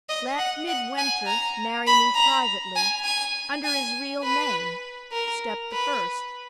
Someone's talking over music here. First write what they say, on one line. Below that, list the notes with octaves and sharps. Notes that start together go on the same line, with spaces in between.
Let Midwinter marry me privately, under his real name--step the first!
D#5
F#5
F#5
G#5
A#5
B5
A#5
G#5
G#5
G#5
B4
A#4
B4